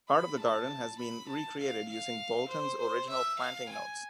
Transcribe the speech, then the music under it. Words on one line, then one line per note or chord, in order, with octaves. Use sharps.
Part of the garden has been recreated using Boulton's original planting notes.
B5
A5
B5
A5
F5
F5
C5
C5
E5
F5
G#5